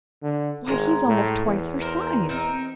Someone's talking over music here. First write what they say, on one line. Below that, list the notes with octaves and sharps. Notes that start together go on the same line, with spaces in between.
"Why, he's almost twice her size."
D3
G#1 G#3 A#5
A2
E2
A#4 C5
C4 D#4 A#4